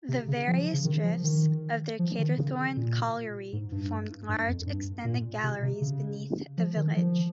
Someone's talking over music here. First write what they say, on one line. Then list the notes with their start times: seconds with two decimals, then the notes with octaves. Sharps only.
The various drifts of their Carterthorne Colliery formed large extended galleries beneath the village.
0.08 C3
0.28 C#3
0.48 F3
0.73 C#3
0.85 D#3
1.04 F3
1.24 D#3
1.99 F3
2.18 D#3
2.37 C#3
2.77 A#2
3.53 G#2
3.72 G2
4.29 G2
4.48 F2
4.66 G2
5.04 A#2
5.43 C3
5.62 C3
5.81 C#3
6.58 F3
6.76 D#3
6.96 F3